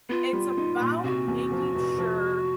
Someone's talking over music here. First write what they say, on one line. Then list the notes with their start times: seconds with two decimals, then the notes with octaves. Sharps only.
it's about making sure
0.09 B3 F4
0.33 G3
0.57 D#4
0.80 A#2
1.04 C3 F#4
1.28 E2
1.52 F3
1.75 F1
1.98 F3